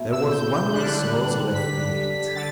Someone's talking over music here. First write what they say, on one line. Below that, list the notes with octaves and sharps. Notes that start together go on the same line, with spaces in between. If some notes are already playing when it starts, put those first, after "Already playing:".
There was one resource left me yet.
Already playing: B2 A3 E4
E6
G6
G6
D3 G3 D4 F#6
B6
D3 A6